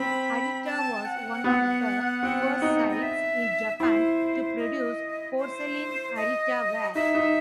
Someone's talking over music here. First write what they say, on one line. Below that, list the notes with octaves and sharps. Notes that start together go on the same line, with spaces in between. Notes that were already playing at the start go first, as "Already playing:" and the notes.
Arita was one of the first sites in Japan to produce porcelain, Arita ware.
Already playing: C4 B5
A5
F#5
B3
C4
D#4
D#5
E5
E4 C5
D#5
C5
D#5
D#4 E5
D#4